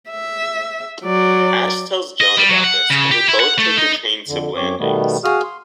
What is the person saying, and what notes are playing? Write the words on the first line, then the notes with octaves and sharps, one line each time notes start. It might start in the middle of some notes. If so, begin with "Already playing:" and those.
Ashe tells Joan about this, and they both take the train to Blandings.
E5
F#3 D5
D#5
G3
F#3
F#5
C#3
G4
E4
F#5
A3
D#4
F2 D3
F#2 C4 C#5 D6
B2 D#3 G3 A3 B3
F#4 G#4 F5 D#6 F6
C6